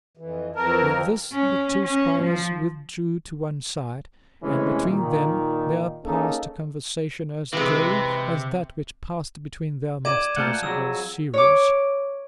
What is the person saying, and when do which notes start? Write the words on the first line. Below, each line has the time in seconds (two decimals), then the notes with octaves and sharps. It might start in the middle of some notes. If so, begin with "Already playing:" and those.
With this the two squires withdrew to one side, and between them there passed a conversation as droll as that which passed between their masters was serious.
0.17 F2 E3
0.56 F2 E3 A#4 A5
1.32 C#4
1.84 C#4
2.22 F3
4.42 C3 E3 G#3 A3 C#4
4.86 A#2 D#3
6.04 A#3 C#4 D#4 G#4 A4
7.53 C3 E3 G#3 B4
10.05 D5 G#6 D#7 E7
10.36 A#2 A3 F#5 A5 F6 G6
10.63 F2 F#3 G#4 E6
11.34 C#5 D6